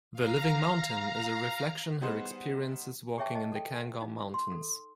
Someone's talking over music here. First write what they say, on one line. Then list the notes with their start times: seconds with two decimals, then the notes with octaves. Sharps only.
"The Living Mountain" is a reflection her experiences walking in the Cairngorm Mountains.
0.13 F5 A#5
2.01 G3 B3 D#4 G#4 C5 F#5
3.18 G4 G#4 C#5 E5 G5 A5
3.35 D#5 A5
3.52 A4 G5
4.02 D#4
4.34 C6
4.52 A4